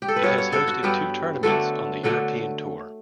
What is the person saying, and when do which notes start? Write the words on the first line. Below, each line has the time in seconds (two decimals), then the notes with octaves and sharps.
It has hosted two tournaments on the European Tour.
0.02 G4
0.08 A4
0.16 B4
0.23 G2 F#3 B3 C#5
0.38 C#5
0.52 A4
0.67 F#4
0.83 G2 F#3 B3 G4
1.43 D3 F#3 A3 D4 A4
2.03 D3 F#3 A3 D4